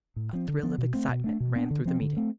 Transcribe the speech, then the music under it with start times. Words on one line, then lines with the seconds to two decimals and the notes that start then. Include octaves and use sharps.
A thrill of excitement ran through the meeting.
0.16 A2
0.33 F3 C4
0.48 D3
0.63 F3 B3 D4
0.78 B2
0.94 A3 C4
1.08 B2
1.24 A3 D4
1.40 B2
1.56 B3 D4
1.70 D3
1.85 F3 C4
2.02 D3
2.17 A3 C4